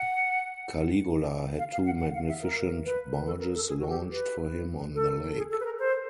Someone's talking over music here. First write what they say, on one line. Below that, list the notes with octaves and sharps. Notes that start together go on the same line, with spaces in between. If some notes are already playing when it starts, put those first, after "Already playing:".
Caligula had two magnificent barges launched for him on the lake.
Already playing: F#5
F5
F5
F#5
F#5
F5
E5
A#4
B4
A4
A#4
A4
G#4
F#4
G4
B4
A4
G#4
A4
B4
A#4
C5